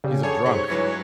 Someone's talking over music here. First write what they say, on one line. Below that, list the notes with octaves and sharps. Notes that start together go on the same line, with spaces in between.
He's a drunk.
C#3 G3
D3 G#4 C#5 G#5 A5
G#2 C3
G2 E3 F#3 G#3